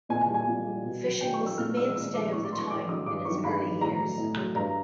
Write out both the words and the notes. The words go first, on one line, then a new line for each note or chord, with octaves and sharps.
Fishing was the mainstay of the town in its early years.
A#2 G#5
G#5
G3
G#5
A#2
G3
B2
F#3
B2 G5
C#6
F#3
E6
A#2 F6
F3 G#3 E6
A#2 E6
F3 G#3 D6
A2 C#6
D6
F#3 C6
C#6
A2 D6
F#3 D#6
G2 D6
D#3 F#3 C#6
G2 B5
D#3 F#3
A2 A#5
F#3
A2
F#3
G2 A#5